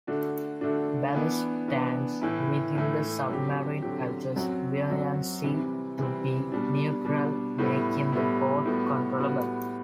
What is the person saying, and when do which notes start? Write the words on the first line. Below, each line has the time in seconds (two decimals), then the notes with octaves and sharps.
Ballast tanks within the submarine adjust buoyancy to be neutral, making the boat controllable.
0.07 D3 A3 D4 F#4
0.61 D3 A3 D4 F#4
1.15 E3 B3 D4
1.68 E3 B3 D4
2.22 A2 E3 A3 E4
2.75 A2 E3 A3 E4
3.29 D3 F#3 C4 G4
3.82 D3 F#3 C4 G4
4.36 F#2 F#3 C4 F#4
4.90 F#2 F#3 C4 F#4
5.44 C3 E3 G3 C4
5.98 C3 E3 G3 C4
6.52 B2 G3 D4
7.05 B2 G3 D4
7.58 A2 G3 B3 E4
8.12 A2 G3 B3 E4
8.65 A2 G3 B3 F#4
9.20 A2 G3 B3 F#4